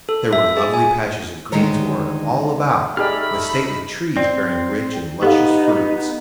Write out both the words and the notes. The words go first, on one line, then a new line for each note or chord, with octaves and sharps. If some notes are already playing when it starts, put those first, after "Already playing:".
There were lovely patches of greensward all about, with stately trees bearing rich and luscious fruits.
A4
E5
G#4
G#5
D2 D#3 G#3 A#4 C#5
A3 D#4 G4 G#4 D5 B5 F6
C4 D5
B3 D#4 G4 A4 F5